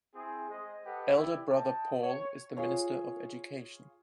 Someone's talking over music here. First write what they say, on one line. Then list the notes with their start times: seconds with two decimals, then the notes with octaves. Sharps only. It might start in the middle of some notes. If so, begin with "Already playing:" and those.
Elder brother Paul is the Minister of Education.
0.15 C4 E4 G#4
0.50 G#3 C5 D#5
0.86 G4 A4 B4 D#5 F#5
1.17 E4 G4 B4 D5
1.50 D#5 G5 A5
2.03 C#5
2.57 F4 G#4 C#5